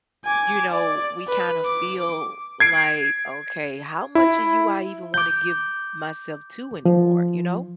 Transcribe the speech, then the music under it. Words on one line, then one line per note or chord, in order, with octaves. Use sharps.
you know, we kind of feel like, "Okay, how much of you I even want to give myself to anymore?" You know?
G#5 D6
D5
B4
D6
G#6 C7 D7
E4
D6 G6
F3